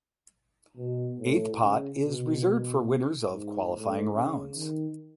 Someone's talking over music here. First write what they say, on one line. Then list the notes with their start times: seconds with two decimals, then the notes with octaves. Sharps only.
Eighth pot is reserved for winners of qualifying rounds.
0.77 B2
1.19 A2
1.61 C#3
2.03 B2
3.29 G#2
3.71 A2
4.13 C#3
4.56 D#3